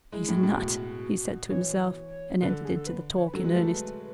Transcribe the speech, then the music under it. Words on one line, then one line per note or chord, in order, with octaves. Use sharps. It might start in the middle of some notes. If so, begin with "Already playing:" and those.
"He's a nut!" he said to himself, and entered into the talk in earnest.
G#3 E4
A2
F#4
A2
B2
E3 C#5
D3 B4
A4
G#4
A4
B4
C#5
B4
F#3 A4
G#3 B4
A3